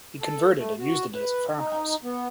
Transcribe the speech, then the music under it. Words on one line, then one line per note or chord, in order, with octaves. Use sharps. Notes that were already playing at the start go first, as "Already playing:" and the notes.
He converted and used it as a farmhouse.
A4
A3
F#4
B4
D#4
B3